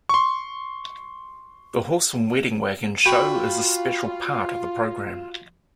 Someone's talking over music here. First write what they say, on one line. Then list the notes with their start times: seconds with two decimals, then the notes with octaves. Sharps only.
The horse and wedding wagon show is a special part of the program.
0.09 C6 C#6
3.06 F4 F#4 G5 B5